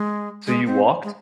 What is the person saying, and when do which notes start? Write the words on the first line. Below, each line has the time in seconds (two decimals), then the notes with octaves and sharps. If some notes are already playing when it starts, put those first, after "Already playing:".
So, you walked?
Already playing: G#3
0.47 G#3
0.66 C4
1.04 G#3